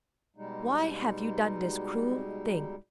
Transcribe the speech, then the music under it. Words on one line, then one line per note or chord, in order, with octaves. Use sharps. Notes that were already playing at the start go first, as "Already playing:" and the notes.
"Why have you done this cruel thing?"
B2 G3 G#3 D#4